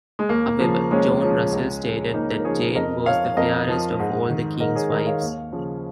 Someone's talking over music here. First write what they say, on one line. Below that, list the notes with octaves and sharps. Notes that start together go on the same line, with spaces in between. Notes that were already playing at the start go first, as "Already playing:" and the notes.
However, John Russell stated that Jane was the fairest of all the King's wives.
G#3
D#2 A#3
C#3 F3
D#2 G#3 C#4
C#3 F3
C#2
C#3 F3
C#2 A#3 D#4
A#4
C#3 F3 G#4 C#5
F2 A#4 D#5
F3 C#5 F5
F2 A#4 D#5
F3
G#2
D#3
G#2 A#4 D#5
G#4 C#5
D#3 A#4 D#5
C#5 F5
D#2
C#3 F3